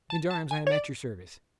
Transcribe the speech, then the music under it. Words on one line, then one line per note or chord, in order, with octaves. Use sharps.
Gendarmes, I am at your service.
A5
A5
G#5
C#5
D5